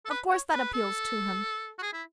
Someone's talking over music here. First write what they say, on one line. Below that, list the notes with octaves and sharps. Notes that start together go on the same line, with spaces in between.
"Of course that appeals to him."
A4
B4
C#5
B4
A4
F#4
G#4
E4